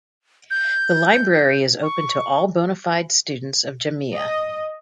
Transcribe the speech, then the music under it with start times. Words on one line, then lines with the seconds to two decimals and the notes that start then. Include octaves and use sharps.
The library is open to all bona fide students of Jamia.
0.51 G6
1.83 C#6
4.14 D#5